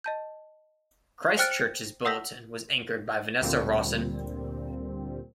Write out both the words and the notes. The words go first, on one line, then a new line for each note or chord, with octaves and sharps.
Christchurch's bulletin was anchored by Vanessa Rawson.
D#5 A5 G6
C5 G5 F6 F#6 A6 D7
C#7
F#5 D#6 E6 G6 A#6 B6
D2 A#2 D3 G3 A#3 C4